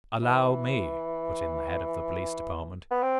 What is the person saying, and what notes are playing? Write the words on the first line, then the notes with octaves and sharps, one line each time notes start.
"Allow me," put in the Head of the Police Department.
E3
B3
C4